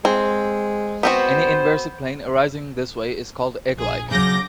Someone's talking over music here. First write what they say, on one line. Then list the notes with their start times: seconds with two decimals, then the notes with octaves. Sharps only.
Any inversive plane arising this way is called "egglike".
0.05 G#3 C4
1.03 B3 C4 F#4 C5
3.75 A#1 G#4
4.11 C#3 F#3 D6 G6 A#6